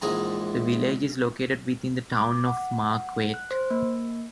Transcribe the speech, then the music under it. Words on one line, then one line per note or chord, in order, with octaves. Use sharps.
The village is located within the Town of Marquette.
A#1 G#2 E3 G#3 G#5 A#5
D6
F#5
F#6
C5
A#3